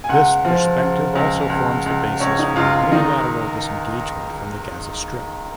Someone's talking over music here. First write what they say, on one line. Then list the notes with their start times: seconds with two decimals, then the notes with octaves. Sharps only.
This perspective also forms the basis for the unilateral disengagement from the Gaza Strip.
0.04 G#5
0.09 C#2 F#5
0.45 F3
0.80 C#3
1.15 C#2
1.50 C#2
1.86 C#2
2.20 C#2 C#5
2.39 D#4
2.56 C#2 F4
2.74 F4
2.91 D#3 D#4